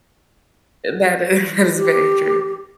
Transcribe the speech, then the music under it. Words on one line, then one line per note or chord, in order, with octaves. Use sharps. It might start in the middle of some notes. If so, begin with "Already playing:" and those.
that is that is very true.
G4